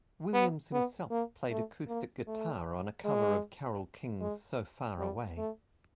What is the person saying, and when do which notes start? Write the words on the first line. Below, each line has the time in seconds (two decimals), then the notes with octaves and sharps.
Williams himself played acoustic guitar on a cover of Carole King's "So Far Away".
0.33 B3
0.72 B3
1.11 A#3
1.50 A3
1.88 A#3
2.27 A3
3.05 G#3
4.21 G#3
4.98 G3
5.37 A3